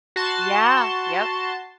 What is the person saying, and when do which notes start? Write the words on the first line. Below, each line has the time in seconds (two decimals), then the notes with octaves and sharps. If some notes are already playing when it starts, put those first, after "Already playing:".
Yeah, yep.
0.16 F#4 A5 C6